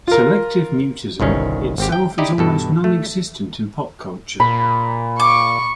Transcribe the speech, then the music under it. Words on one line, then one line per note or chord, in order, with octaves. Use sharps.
Selective mutism itself is almost nonexistent in pop culture.
F4 A#4
G1 C2 D#3 C#4
G#1 C4 G4
G5
D#4 E4 G4 D5 D#5
G2 B2 A4
A3
A#2 B5
C#6 D6